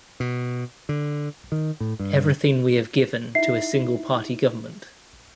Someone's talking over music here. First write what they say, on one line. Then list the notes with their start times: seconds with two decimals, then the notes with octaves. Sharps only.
Everything we have given to a single party government.
0.20 B2
0.89 D3
1.52 D#3
1.80 A2
1.99 G2
3.35 D#4 E4 E5 C7